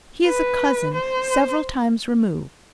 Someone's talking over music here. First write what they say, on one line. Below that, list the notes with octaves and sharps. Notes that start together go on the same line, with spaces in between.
He is a cousin, several times removed.
B4
C5